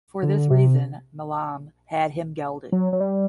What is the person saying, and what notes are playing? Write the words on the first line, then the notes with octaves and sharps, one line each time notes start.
For this reason, Milam had him gelded.
D3
C3
F#3
F#3
G3